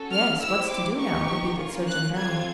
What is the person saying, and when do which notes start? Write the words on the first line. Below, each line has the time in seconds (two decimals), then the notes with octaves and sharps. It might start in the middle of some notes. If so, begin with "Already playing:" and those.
"Yes, what's to do now?" repeated Sergeant Brown.
Already playing: C#4 F#4 A4
0.11 F6
0.40 C4 E4 G4 E6
0.69 D6
0.99 B3 D#4 G4 C#6
1.58 A#3 C#4 F4
1.88 F#6
2.16 C4 F4 A4 G#6